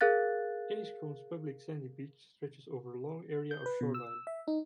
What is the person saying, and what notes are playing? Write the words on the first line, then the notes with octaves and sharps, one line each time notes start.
Enniscrone's public sandy beach stretches over a long area of shoreline.
G#4 A#4 F5 F#6 A6
G6
B4
B2
E6
E5
D#4